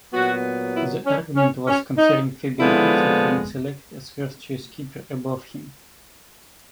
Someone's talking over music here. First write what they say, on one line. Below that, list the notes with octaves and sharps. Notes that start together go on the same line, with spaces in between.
The argument was concerning Fabian Giefer being selected as first choice keeper above him.
A#2 F#3 B3 F#4
E4
C#4
C#4
C#4
D#4
D3 F3 G#3 B3 E4